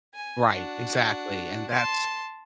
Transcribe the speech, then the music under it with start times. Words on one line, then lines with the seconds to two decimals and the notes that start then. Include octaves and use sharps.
Right, exactly, and that's
0.14 G#5
0.52 D4 F#4
1.70 A5 C6